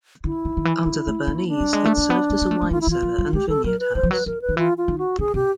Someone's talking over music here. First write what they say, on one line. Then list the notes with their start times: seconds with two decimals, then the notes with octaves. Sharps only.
Under the Bernese it served as a wine cellar and vineyard house.
0.24 D3 E4
0.45 D#3
0.57 D#3
0.65 E3
0.86 G#3
1.07 A3
1.27 A#3
1.48 D4
1.61 G3
1.73 G#3
1.85 A3
1.98 A#3
2.10 B3
2.30 A#3
2.42 A#3
2.51 A3
2.61 A3
2.71 G#3 F4
2.81 E4
2.87 E3
2.90 F4
3.03 F3
3.19 G3
3.33 G#3 G4
3.49 G3 A4
3.64 F#3 A#4
3.79 B4
3.95 E3 C5
4.03 F3
4.11 F#3 B4
4.26 F3 A#4
4.41 B4
4.49 D#3
4.57 E3 F4
4.77 F4
4.88 D#3
4.98 F#4
5.19 D3 G#4
5.34 C3 G4